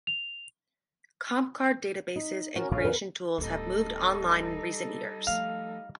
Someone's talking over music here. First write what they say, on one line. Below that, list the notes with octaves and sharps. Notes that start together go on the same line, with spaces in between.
Comp card databases and creation tools have moved online in recent years.
F7
D#4
C#4 F#4 A#4
A#1 G#2 B2 D3 C#4 F5
E2 A#4 B4
D1 G3 B3 D#4 A4
F3 A3 F5